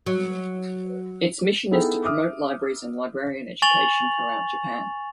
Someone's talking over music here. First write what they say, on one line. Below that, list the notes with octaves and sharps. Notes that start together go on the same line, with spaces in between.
Its mission is to promote libraries and librarian education throughout Japan.
F#3
B3 D#4 E4 G#4 A4 G5
E5 D6 D#6 F6
G#5 C#6 A6 F7 F#7